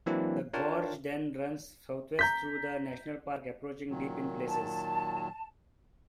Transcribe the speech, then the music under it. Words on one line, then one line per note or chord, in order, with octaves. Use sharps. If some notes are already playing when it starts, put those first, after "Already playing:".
The gorge then runs southwest through the national park, approaching deep in places.
E3 F#3 A#3 C4 D4 E4
D4 F4 A#4 C#5 G5 A5
A#5 G6 B6
A#2 D#3 F#3
A5